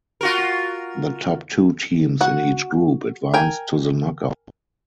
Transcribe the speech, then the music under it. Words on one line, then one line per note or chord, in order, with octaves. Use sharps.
The top two teams in each group advanced to the knockout stage.
F4 F#4 A#4
F#4 F#5
A#4 G5 G#5